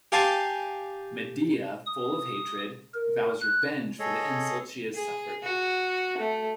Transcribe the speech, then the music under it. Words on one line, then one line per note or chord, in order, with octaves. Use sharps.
Medea, full of hatred, vows revenge for the insults she has suffered.
G4 F5 G#5 A5 C6
D#6
A#4
F#6
G#4 A4 C#5 D#5
G#4
F#4
A3